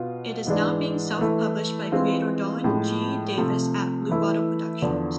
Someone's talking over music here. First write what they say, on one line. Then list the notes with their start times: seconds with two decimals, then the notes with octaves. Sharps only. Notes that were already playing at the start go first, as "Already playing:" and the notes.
It is now being self-published by creator Darren G. Davis at Bluewater Productions.
Already playing: B2 B3 F4
0.46 G#2 E3 G#3 D4
1.19 E3 A3 E4
1.92 E3 G#3 C4 F4
2.64 A2 F3 G#3
3.37 C3 F3 A3
4.09 E3 A3 E4
4.82 E2 D3 F3